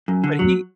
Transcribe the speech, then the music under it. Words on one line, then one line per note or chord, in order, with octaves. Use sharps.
But he
F#2
D3
F#3